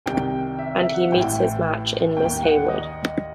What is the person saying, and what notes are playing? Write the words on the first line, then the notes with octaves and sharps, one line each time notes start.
And he meets his match in Miss Heywood.
C2 C3 D#3 G5
E5
E5
F#5
A1 A2 E3 G5
D#2 D#3 G5
F#5
D#5